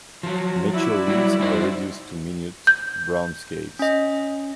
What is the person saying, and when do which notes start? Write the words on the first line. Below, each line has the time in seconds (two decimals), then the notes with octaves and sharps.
Mature leaves are reduced to minute, brown scales.
0.23 F3 F#3
0.69 E4 F#4 D5
1.08 F#3 G3
1.40 G3 D#4 C5
2.67 G6
3.79 C#4 D#5